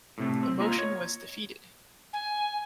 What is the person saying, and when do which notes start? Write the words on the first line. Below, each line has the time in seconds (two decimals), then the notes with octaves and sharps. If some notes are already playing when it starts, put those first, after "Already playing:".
The motion was defeated.
0.18 A2 C3 A3
0.43 C4
0.60 A#3 F4 D#5 A#5
0.79 C#5
2.13 G#5